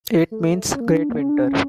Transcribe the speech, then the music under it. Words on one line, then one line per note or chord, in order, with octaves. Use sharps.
It means "great winter".
A3
C#4
A#3
D4
A#3
C#4
D4
C#4